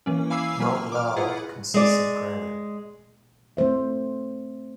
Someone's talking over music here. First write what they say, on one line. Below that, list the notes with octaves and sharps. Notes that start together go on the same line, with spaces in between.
Mount Lao consists of granite.
E3 A#3 C#4
F5 G#5 B5 D6 E6 C7
F#3 A#3 F6
D6 F6
E4 F4 G#4 B4 F#5
G#3 D5
A3 C4 C5 E5